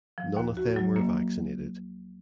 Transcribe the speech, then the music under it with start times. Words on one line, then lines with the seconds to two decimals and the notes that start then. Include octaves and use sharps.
None of them were vaccinated.
0.18 F3
0.37 D#2
0.57 F#4
0.76 F#3
0.96 A#3